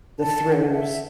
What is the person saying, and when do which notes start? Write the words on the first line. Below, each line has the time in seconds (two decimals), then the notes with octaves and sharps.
the thrillers,
0.19 A5
0.52 F#5
0.75 E5